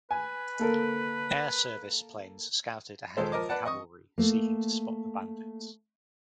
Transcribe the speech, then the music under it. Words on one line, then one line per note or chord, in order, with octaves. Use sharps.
Air Service planes scouted ahead of the cavalry seeking to spot the bandits.
B4 G#5
A#3 A4 A#4
D#2 A#2 G#3 A4 C5
F3 A#4 D#5 D6
B4 D5 F#5 A5
D#5 C#6 D#6
A3 A#3